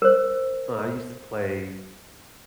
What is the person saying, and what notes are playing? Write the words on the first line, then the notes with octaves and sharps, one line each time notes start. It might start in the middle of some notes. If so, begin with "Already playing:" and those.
I used to play,
A#4 C5